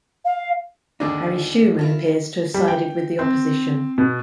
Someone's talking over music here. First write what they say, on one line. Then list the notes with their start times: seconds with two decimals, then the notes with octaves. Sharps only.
Harry Shewman appears to have sided with the opposition.
0.25 F5
1.00 D#2 D3 D4 D#4 G#4
1.79 E4 F4 A4
2.54 G3
2.68 G5
3.19 C4
3.98 B2